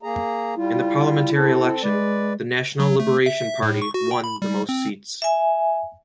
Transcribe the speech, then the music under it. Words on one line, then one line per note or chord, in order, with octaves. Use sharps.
In the parliamentary election, the National Liberation Party won the mosts seats.
A#3 G#4 A#5
G3 E4 F4
C4 A4
G#3 B4 D5
F#3
A3
E5
A2
C#6
F#4
G5
B5
G3
C4
E5 G#5